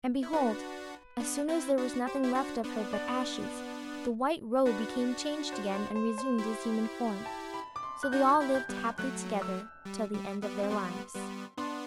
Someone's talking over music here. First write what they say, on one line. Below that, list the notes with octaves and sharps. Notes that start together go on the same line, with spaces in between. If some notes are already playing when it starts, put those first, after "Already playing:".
And behold! as soon as there was nothing left of her but ashes, the white roe became changed again and resumed his human form; so they all lived happily together till the end of their lives.
E4
D4 F#4 B4
B3 D4
C4 E4
D4 F#4
G4 C5
E4 G4
D4 F#4
B3 D4
D5
D4 F#4 B4
C5
C5
C5
C5
E4 G4
A5
B5
D6
C6
F#6
D4 F#4 G6
G6
E4 G4
G6
G3 B3
G6
F#3 A3 F#6
E6
G3
G3
G3 B3
C4
G3 B3 C6
G3 B3
B3 D4 C6